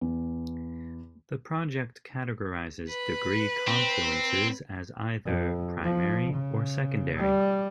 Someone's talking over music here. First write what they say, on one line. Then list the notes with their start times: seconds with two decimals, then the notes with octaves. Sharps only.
The project categorizes degree confluences as either "primary" or "secondary".
0.01 E2
2.87 B4
3.67 C4
5.26 F2
5.84 F3
6.34 C#3
7.17 G3